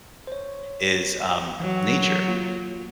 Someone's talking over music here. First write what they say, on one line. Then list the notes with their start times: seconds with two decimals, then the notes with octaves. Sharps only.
is, um, nature.
0.27 C5 C#5
1.60 E3 F#3
2.28 A#3 F4